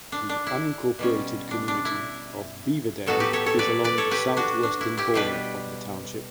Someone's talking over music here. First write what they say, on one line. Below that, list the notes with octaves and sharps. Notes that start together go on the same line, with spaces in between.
The unincorporated community of Beaverdale is along the southwestern border of the township.
D4
D4
E4
B2 G3 C#4
D4
D4
E4
A2 F#3 B3 F#4 A4
G4 B4
A4 C#5
A4 C#5
B4 D5
B4 D5
A4 C#5
G4 B4
D4 F#4
D4
E4
E4 G4
B2 G3 D4 G4 B4